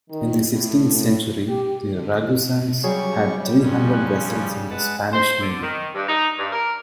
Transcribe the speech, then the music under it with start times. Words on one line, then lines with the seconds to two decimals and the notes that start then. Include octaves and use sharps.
In the sixteenth century the Ragusan's had three hundred vessels in the Spanish navy.
0.10 D#3
0.51 A2
1.47 G4
1.94 D3
2.84 C#3 F#3 G3 G#4 C#5 C#6
3.61 F2 C#4
3.94 F#6
4.70 G#3 B4 F#5 A5
5.12 C5
5.40 D3
5.61 D#3
5.94 G2
6.08 D#4
6.37 G2
6.52 A#4